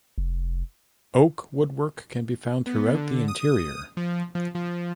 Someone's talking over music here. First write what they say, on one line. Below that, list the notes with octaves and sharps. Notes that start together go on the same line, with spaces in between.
Oak woodwork can be found throughout the interior.
F1
B3
D3
D#6
F3
F3
F3